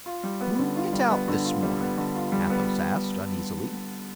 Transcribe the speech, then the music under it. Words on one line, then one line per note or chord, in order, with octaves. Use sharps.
"Who went out this morning?" Athos asked, uneasily.
F4
G3
B3
D3
F4
G3
B3
D3
F4
G3
B3
D3
F4
G3
B3